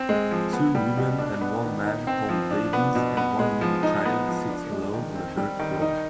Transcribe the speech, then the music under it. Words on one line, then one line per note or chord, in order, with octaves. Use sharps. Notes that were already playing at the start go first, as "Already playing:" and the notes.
Two women and one man hold babies and one young child sits alone on a dirt floor.
Already playing: C4
G#3
F3
B3
G3
B2
D4
B3
D#3
D#4
C4
F3
D4
B3
B2
B3
G#3
F3
D#4
B3
F3
D4
G#3
D#3
C4
G3
D#3
D#4